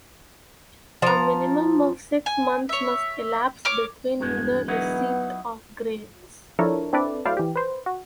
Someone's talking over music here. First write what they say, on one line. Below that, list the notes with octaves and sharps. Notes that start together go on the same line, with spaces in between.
A minimum of six months must elapse between the receipt of grades.
F3 A#5
G#5
C#5 E5
C#5 D6 F6
E1 E2 G2 G#3 B3
F#3 B3 D#4 E4 F#5
F3 D4 E4 A4 A#4 C#5
C4 D4 E4 A4 B4 D5
F#3 A3 E4 C5 D5 F5
E3 G4
B4 C5
F#4